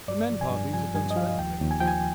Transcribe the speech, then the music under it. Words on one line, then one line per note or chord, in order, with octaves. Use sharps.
The men parties have done splendidly.
G2 D5
F3
G#5
G2
F3 G#5
G2 G#5
D#5
F3 F5
D#2 G5
D#2
G#5
F3 G5
G#5